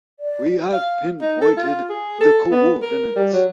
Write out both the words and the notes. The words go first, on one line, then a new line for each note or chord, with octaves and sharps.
We have pinpointed the co-ordinates.
D5
F5
D#4
A4
F4
G#4
A4
B3
A#4
G3
F#3